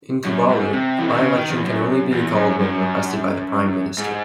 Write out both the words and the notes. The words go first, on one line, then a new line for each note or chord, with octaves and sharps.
In Tuvalu a by-election can only be called when requested by the prime minister.
F#2
G#2
C3
E3
D#3
C#3
D#3
E2
F#2
E2
F#2
F#2
G#2